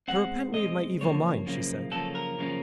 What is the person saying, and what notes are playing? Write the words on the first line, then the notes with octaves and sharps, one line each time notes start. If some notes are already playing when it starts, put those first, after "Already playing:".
'To repent me of my evil mind,' she said.
B2 G#3 C4 F#5
B2 G#3 C4 D#5
F#2 C#3 F3 A#3 C#5
F#2 C#3 F3 A#3
F#2 C#3 F3 A#3 C#4 A4
A#4
F#2 C#3 F3 A#3 C#4